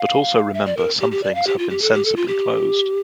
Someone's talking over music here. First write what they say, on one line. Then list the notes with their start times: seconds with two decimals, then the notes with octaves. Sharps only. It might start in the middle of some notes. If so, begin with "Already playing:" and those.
But also remember some things have been sensibly closed.
Already playing: F5
0.54 E5
0.66 D5
0.77 A#4
1.00 G4
1.12 G4
1.23 D5
1.35 F5
1.47 G4
1.58 F4
1.70 G4
1.82 A4
1.94 G4
2.05 A4
2.16 F4
2.28 G4